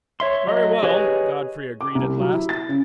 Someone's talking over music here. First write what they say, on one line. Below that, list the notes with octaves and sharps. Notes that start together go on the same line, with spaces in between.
"Very well," Godfrey agreed, at last.
C#5 E5 C6
F#3 D#5
G4 G#4 B4 C#5 D#5
D6
C2
F#3
E4
A6
C#3